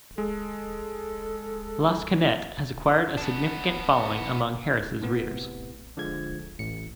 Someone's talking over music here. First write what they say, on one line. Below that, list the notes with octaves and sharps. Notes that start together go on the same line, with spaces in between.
Lansquenet has acquired a significant following among Harris' readers.
G#3 A4
B3 D4
A2 C3 B3
D3 F3 G#3 G#6
A1 C#7